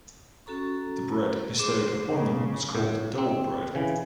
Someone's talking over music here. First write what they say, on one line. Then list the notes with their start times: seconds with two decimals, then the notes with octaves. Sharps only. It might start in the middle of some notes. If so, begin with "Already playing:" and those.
The bread bestowed upon them was called dole-bread.
0.46 C#4 F#4 A4 A#5 C#6
1.59 G#4 C5 D6 E7
2.12 C#3
2.75 A2
3.18 C4
3.75 C#3 E3